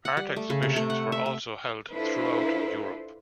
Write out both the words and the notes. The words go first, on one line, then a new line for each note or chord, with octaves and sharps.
Art exhibitions were also held throughout Europe.
F#5
G3
A3
C#3
C3
A3
F#5
E5
E5
D4 E4 F4 A4 B4 C5